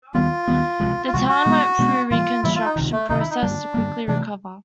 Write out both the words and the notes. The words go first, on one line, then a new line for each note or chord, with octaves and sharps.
The town went through a reconstruction process to quickly recover.
D#2 D#3 G3 B3 F4
D#2 D#3 G3 B3
C#2 C3 F3 G#3
F4
C#2 C3 F3 G#3 F#4
F#4
B2 G#3 B3 D4
B2 G#3 B3 D4
A2 E3 G3 A#3 F4
A2 E3 G3 A#3 E4
F4
D#4
C#2 C3 D#3
A3
C#2 C3 D#3 D#4
E4
D#4
G2 D3 G3 A#3 D4
G2 D3 G3 A#3
C3 E3 A3 D4